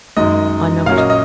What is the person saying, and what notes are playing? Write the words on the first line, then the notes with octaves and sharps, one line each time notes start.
I know it.
F#2 D#3 G#3 D#5
A#2 F#3 A#3 C#4 F5
D#5
D#5